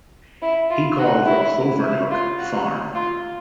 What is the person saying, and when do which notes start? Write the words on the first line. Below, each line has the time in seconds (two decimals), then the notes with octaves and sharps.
He called the Clovernook Farm.
0.42 E4
0.70 F4
0.99 F#4
1.26 E4
1.83 E4
2.11 F4
2.39 F#4
2.95 F4